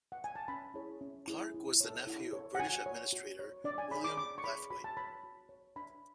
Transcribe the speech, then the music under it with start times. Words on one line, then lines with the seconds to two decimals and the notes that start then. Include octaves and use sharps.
Clarke was the nephew of British administrator William Blathwayt.
0.12 F#5
0.24 G#5
0.35 A5
0.48 C#4 B5
0.74 E4 G#4 C#5
1.01 C#4
1.28 E4 G#4 C#5
1.54 E4
1.81 A4 C#5
2.07 E4
2.32 A4 C#5
2.55 F#5
2.60 F#4 G#5
2.86 C#5
3.13 F#4
3.39 C#5
3.64 D4 D5
3.78 G#5
3.91 G#4 C#5 B5
4.04 D6
4.17 D4 D6
4.38 C#6
4.44 G#4 C#5 B5
4.70 F#4 B5
4.84 A5
4.97 C#5 B5
5.24 F#4
5.49 C#5
5.76 D4 B5